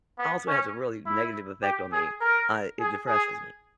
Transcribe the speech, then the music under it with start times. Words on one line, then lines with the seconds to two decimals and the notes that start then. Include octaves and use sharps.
also has a really negative effect on me, uh, it depresses me.
0.19 B3
0.47 C#4
1.06 E4
1.63 G4
1.92 G#4
2.21 A#4
2.79 G#4
3.07 G#4